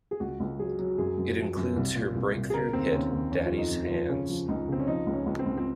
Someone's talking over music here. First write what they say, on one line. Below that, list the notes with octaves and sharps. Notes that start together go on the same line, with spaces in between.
It includes her breakthrough hit, "Daddy's Hands".
G#4
C#2 F#4
C#2
F#3 G#4
F#3
F#2 G#4
F#2
F3
F#2
C2
A#2
C2
C2
G#4
C#3 A#4
D#2 C4
D#2 C#4
D#2
F2 C#4
F4
F2
D#4
F2
F4
F3
C#3 C#4
F3
C#2 D#4
C#3 C4
C#4
F3 D#4
C#2
C#4
C#2
C4
C#2
C4